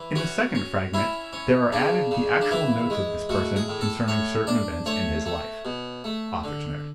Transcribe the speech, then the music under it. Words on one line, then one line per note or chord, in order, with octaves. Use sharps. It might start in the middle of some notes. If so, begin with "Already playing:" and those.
In the second fragment there are added the actual notes of this person concerning certain events in his life.--AUTHOR'S NOTE.
Already playing: E3
C#4 F#4
C#4
C#4 E4
C#4
C#3 D4
C#3
D4
E3 E4
G#3
A2 F#4
G#4
A2
A4
A2 C#5
D4 D5
A3 C#5
A3
B2
A3
D3